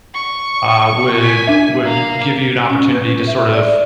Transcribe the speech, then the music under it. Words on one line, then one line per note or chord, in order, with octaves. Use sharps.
uh, would would give you an opportunity to sort of
C#6
G#5 B6
D4 E5
A#3 F5
C#4
B4
E5
D5